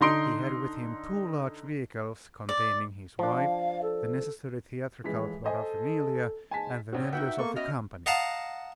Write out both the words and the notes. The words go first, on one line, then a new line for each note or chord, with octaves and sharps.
He had with him two large vehicles containing his wife, the necessary theatrical paraphernalia, and the members of the company.
D3 D#4 C6 D7
D5
F3 D4 F5
A4
A2 E3 F3 G#3 B6
A4 C5 D#5 G#5
G#2 G#3 G#5 A5 B6
A#1 C4 C#4 F#4
D#4 F#4 B4 E5 F#5 G5
A#3 B3 A4 C#6
C#4 F#4 D#5 E5 F6
D#5 F5 F#5 A5 A#5